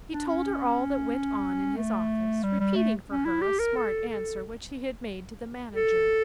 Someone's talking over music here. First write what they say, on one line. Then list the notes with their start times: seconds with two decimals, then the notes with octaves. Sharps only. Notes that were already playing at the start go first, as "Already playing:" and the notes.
He told her all that went on in his office, repeating for her a smart answer which he had made to the manager.
0.10 D4
0.27 C#4
1.77 A3
2.43 G3
2.60 G3
2.75 A3
3.10 C#4
3.25 E4
3.42 G4
3.59 A#4
3.76 A4
4.08 A4
5.75 A4